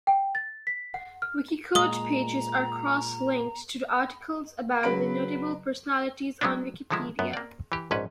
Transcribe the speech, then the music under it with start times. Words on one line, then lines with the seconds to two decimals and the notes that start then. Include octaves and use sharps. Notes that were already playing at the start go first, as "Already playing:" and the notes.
Wikiquote pages are cross-linked to articles about the notable personalities on Wikipedia.
0.07 G5
0.35 A6
0.67 B6
0.94 F#5
1.22 F6
1.75 A#2 G#3 A#5 D#6 G7
4.83 C#3 F#3 B4 B5 D7
6.41 F#3 G#3 B3 C#4 D4
6.90 D3 D#3 F3 G#3 E4
7.19 F#2 B3
7.33 A#3 D5
7.72 E3 G4
7.91 A#1 G#2 C#4 B4